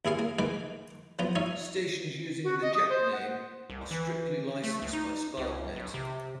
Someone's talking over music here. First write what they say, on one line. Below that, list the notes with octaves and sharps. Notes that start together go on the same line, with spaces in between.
Stations using the "Jack" name are very strictly licensed by SparkNet.
D#2 E4 G#4 F5 C6
A#3
D#3 G#3 B4 F5 D6
F3 F#3 B3 F4
D#4 C#5 E5 F5
F#4
D#5
D#6
C5
F#5
C2
E3
A3
C#2
D#4
C#2
B1
C3